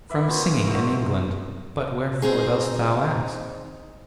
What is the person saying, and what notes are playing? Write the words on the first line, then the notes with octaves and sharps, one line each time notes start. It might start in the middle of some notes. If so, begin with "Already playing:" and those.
'From singing in England; but wherefore dost thou ask?'
B4 D5 E5 B5
A#2 C4 F#4 G#4
F#3 C4 A#5 C#6
C4 D#4 G#4